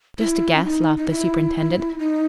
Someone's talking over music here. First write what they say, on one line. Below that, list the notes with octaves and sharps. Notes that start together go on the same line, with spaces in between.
"Just a guess," laughed the superintendent.
E4
C#4
D#4
D#4
E4
D#4